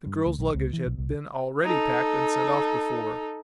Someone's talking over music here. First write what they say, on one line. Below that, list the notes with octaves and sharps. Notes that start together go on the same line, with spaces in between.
The girl's luggage had been already packed and sent off before.
G2
D2
B1
C#2
E3
B1
C2
D#4 A4